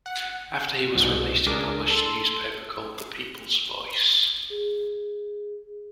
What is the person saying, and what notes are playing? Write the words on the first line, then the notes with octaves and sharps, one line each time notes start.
After he was released he published a newspaper called "The People's Voice".
F#5
C2 G#2 B2
C#2 D4 G#4 A#4 D6
A4 C6
G#4